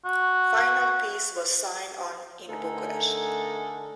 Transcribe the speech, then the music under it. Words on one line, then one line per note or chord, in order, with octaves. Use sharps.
Final peace was signed on in Bucharest.
F#4
D3 A3 D#4 A4 A#4 G#5